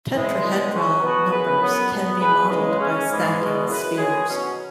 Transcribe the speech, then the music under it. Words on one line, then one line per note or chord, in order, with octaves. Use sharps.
Tetrahedral numbers can be modelled by stacking spheres.
E2 E3 G#3 E4
C#2 B2 G#3
C#2 C#3 F#3 C#4 F#4
B2 B3 F#4
F#2 E3 B3 G#4 B4
F#2 F#3 B3
E2 B2 B3
E2 B2 B3 G#4 B4
C#3 E3 G#3
C#3 G#3 C#4
G#2 E3 G#3
E2 B2 G#3
F#2 E3 G#3 E4 B4
B2 G#3 C#4 G#4
B2 F#3 C#4